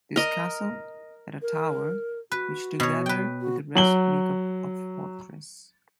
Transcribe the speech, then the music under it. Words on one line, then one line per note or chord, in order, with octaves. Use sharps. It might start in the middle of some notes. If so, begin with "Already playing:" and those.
This castle had a tower which together with the rest make up a fortress.
A#4 D#5
A#4
F#4 B4
B2 C#5
B4 G5
F#4
F#3 F#7 G7